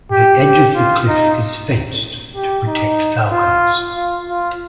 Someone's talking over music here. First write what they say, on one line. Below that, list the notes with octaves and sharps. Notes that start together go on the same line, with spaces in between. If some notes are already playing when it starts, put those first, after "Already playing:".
The edge of the cliff is fenced to protect falcons.
G4
G4
F4
D#4
G4
D#4
F4
F4
F4